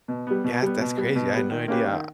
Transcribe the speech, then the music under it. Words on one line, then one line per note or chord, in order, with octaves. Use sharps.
yeah, th that's crazy, I had no idea
B2
G3 B3
B2
G3 B3
B2
G3 B3
B2
G3 B3
D#3
A#3 C#4 G4 B4
D#3